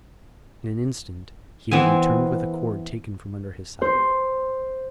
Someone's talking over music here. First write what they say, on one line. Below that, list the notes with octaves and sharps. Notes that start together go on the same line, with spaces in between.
In an instant he had returned with a cord taken from under his saddle.
E3 B3 C4 G#5
C5